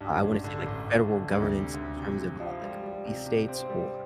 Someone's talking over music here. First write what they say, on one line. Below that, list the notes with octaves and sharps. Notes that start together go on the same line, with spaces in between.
I I wanna say, like, federal governance in terms of, uh, like police states or
G2
A1
D3
A1
A1
D3
D2
C3
D2
C3
C3
F3
G3
G3
C3
C3
C4
G3